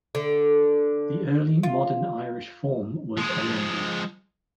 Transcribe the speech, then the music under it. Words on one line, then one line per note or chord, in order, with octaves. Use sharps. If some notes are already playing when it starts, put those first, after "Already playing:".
The Early Modern Irish form was Aonghus.
D3
F4
F3 G#3